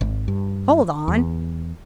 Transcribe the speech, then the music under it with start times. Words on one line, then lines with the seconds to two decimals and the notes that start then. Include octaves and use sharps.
Hold on!
0.01 G#1
0.28 G2
1.08 E2